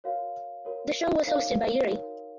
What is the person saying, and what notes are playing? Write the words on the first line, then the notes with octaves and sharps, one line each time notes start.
The show was hosted by Yuri.
F#4 A#4 C#5 F5
F#4 A#4 C#5
D#4 F#4 A#4 C#5 F5
D#4 F#4 A#4 C#5